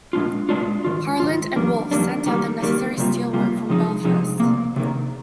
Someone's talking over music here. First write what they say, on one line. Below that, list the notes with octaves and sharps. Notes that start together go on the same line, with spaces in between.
Harland and Wolff sent out the necessary steel work from Belfast.
A#2 G#3 D4 F4
A#2 G#3 D4 F4
G#2 D#3 F4
G#2 D#3 F4
F2 D#3 G3 A#3 D4
F2 D#3 G3 A#3 D4
D#3 G3 A#3
D#3 G3 A#3
C3 G3 A#3 F4
C3 G3 A#3 F4
C3 F3 G#3 D#4
C3 F3 G#3 D#4
C3 D#3 A#3
C3 D#3 A#3